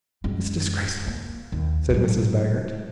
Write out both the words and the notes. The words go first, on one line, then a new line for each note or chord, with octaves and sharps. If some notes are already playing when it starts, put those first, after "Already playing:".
"It's disgraceful," said Mrs. Baggert.
F#2 G#3
A#3
D#2
F#3 G#3